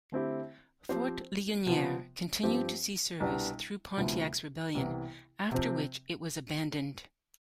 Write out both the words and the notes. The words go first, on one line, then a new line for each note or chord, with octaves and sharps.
Fort Ligonier continued to see service through Pontiac's Rebellion, after which it was abandoned.
D3 A3 C4 E4 G4
F3 C4 G4 C5
C3 F3 B3 F4
G2 F3 C4 G4
C2 B2 G3 B3 D4
D2 C3 F3 B3 E4
C2 C3 E3 B3
C3 F3 C4